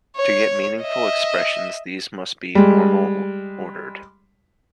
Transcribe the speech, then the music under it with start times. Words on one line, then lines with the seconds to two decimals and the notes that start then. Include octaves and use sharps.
To get meaningful expressions, these must be normal ordered.
0.16 C#5
0.82 D#5 E5
2.55 G3 G#3